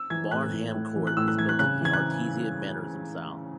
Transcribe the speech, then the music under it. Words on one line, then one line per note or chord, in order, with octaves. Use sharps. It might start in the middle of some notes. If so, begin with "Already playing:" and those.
Barnham Court was built in the Artisan Mannerism style.
Already playing: E6
E3 G#6
A2 F#6
E3
A2
E3
F#6
A2 E6
F#6
E3 G#6
F#6
C#3 F#6
E3 G#6
F#6